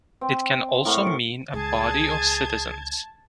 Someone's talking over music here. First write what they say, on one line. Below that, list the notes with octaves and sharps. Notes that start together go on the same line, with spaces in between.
It can also mean a body of citizens.
C4
A2 A#4 F#5 C#6
C#2 G#4 A5 G#6